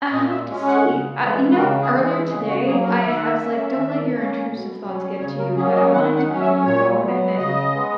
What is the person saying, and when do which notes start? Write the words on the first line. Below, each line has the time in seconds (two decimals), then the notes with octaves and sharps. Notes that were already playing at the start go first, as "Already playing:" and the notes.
I'll have to see, I you know, earlier today, I ha was like, "Don't let your intrusive thoughts get to you," but I wanted to to pick up the phone a and,
0.12 A#2 D#5
0.30 E5
0.48 G#3 C#4
0.67 F#5
0.85 C#3
1.21 E3 G#3
1.51 B4
1.57 C#3 A#4
1.81 G#4
1.94 E3 G#3
2.06 G#4
2.30 C#3 G#4
2.48 F#4
2.66 F#3 A#3 G#4
2.84 A#4
3.02 D#3 E5
3.14 F#5
3.26 E5
3.38 A#3 C#4 E5
3.75 D#3
4.11 A#3 C#4
4.48 B2
4.84 F#3 C#4
5.20 C#3 C#5
5.38 A#4
5.56 F#3 A#3 C#4 G#4
5.74 D#5
5.93 D#3 F#5
6.17 F#5
6.29 F#3 C#4
6.41 E5
6.65 A#2 C#5
7.01 F#3 B3
7.37 C#3 D#5
7.74 G#3 B3